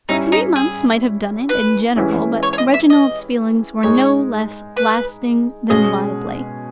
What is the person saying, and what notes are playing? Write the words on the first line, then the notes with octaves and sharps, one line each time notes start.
Three months might have done it in general, but Reginald's feelings were no less lasting than lively.
G3 C#4 D#4 E4
D#4
G#4
B4
E3 G#3 C#4 E4 G4
C#5
C#5
D#5
E5
D#5
G#3 D#4 G#4 C#5
B4
B2 G#3 C#4 G#4 D#5